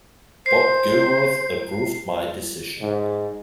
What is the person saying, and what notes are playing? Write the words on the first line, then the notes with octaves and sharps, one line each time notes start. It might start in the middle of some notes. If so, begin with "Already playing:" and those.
Bob Gilruth approved my decision.
C5 C7
G#2